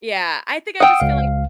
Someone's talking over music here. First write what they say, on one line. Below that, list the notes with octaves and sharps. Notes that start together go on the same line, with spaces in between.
Yeah, I think I just feel like
F#5 G5 D#6 E6
C#2 F5